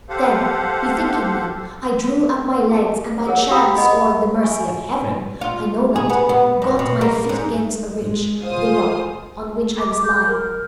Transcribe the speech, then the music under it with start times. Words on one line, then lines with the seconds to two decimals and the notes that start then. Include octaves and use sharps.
Then, bethinking me, I drew up my legs and by chance or the mercy of Heaven, I know not, got my feet against a ridge of the rock on which I was lying.
0.09 G4 A4 C5 F5 F#5
2.69 G#4
3.26 G#4 A#4 C#5 F#5
3.51 G4 F5 G5 A#5 B5 D#6
3.77 G#4 D#5 F#5 B5
4.43 G#5 C#6
5.41 F4
5.96 G#4
6.10 B3
6.29 B3
6.62 F#2
6.79 B2
7.01 A#3
7.29 G#2
8.02 G#3
8.43 F4 G#4 C5 F5 D#6
9.51 A4
9.79 D6
10.03 G6
10.27 A#4